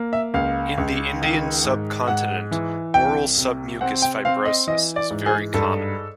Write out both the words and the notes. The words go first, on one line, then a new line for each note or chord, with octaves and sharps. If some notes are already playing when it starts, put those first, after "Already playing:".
In the Indian subcontinent oral submucous fibrosis is very common.
Already playing: A#3
E5
C#2 F5
C#2
D#3
G#2
G#2 F#5
E3
C2 G5
C3
C4 F#5
G5
C4 F5
D#5
E3 D#5
D5
G#2
G#4
G2 A4